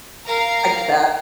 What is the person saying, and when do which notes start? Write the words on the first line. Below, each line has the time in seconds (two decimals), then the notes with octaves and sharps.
I get that.
0.25 A#4 F5 A#5